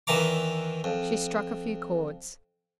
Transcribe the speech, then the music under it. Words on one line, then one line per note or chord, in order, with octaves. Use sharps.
She struck a few chords.
E2 D#3 E3 E5 A#5 D6
F2